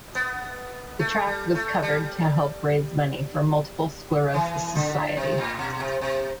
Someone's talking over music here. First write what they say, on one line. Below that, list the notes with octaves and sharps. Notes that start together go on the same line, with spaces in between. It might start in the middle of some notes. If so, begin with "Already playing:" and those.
The track was covered to help raise money for Multiple Sclerosis Society.
B3
A3
G3
A3
G3
E3
D3
C3
A2
B2
C3
C3